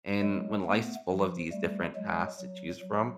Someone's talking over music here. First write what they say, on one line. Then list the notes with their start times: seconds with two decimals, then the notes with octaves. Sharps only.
and when life's full of these different tasks to choose from,
0.22 F#3 G#3
0.65 A3 B3
1.08 F3
1.52 G3 A3
1.96 F#3 G#3
2.38 F#3
2.82 F#3